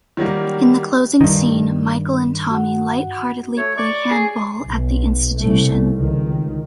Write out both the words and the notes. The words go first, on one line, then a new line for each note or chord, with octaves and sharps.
In the closing scene, Michael and Tommy light-heartedly play handball at the institution.
D#3 F#3 G3 A#3
G2 D#3
F#4 F#5
A3 C#5
D5 C#6
G#4
B1
C2 A3
C#2 D#3